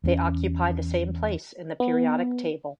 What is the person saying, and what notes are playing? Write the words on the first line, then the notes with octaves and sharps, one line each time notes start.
They occupy the same place in the periodic table.
E2 B3 C#4
B3